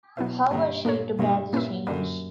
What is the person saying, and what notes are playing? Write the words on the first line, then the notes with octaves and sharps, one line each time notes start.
How was she to bear the change?
B2 F#3 B3 E4 B4 E5
G2 D3 A#3 C#4
A#2 A#3 D4 A#4 C#5
G2 B2 G3 A#3 E4
A#2 A#3 C#4 E4 B4 E5
F#2 D3 G3 A#3